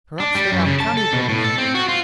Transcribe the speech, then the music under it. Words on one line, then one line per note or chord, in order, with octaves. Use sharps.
Perhaps they are cannibals!
D4
G3
F#2
C#3
A5
A4
B2
A2
A4
C4
F#4
F4